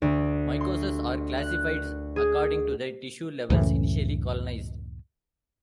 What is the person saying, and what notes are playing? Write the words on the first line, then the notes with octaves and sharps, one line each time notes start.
Mycoses are classified according to the tissue levels initially colonized.
D2
C6
F#6
G#4
C#2 F#2 A2 E3